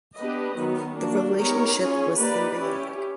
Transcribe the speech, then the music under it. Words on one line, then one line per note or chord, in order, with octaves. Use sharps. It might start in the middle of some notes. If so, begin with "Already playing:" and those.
The relationship was symbiotic.
B3 D4 G4 B4 D#5
D#3 F#3 B3
A#3 D4 F#4
B3 D#4 G4 A#4 C#5
C#4 F4 G#4
A#3 D#4 G4 B4 D5
C#4 E4 G4